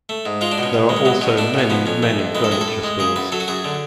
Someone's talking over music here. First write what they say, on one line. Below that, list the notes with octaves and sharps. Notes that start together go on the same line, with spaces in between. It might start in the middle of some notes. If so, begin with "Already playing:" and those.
There are also many, many furniture stores.
A3
G#2
G#3 F4
D4
B2
C#4
B2
G#3
C#4
F#3 B3
B2 C#4
A3 D4
B2 C#4
F3 B3
F2 C#4
A3
F2
G#3 B4
A4
A2 G#4
A4
A2
G#3
C#3 G#4
F#2 B4
F#3 A4
F#4
F#2 G#4
D3